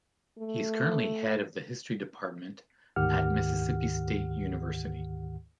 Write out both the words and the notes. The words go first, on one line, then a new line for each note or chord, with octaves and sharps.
He is currently head of the history department at Mississippi State University.
A3
D2 G#2 D#3 G4 F#5 F6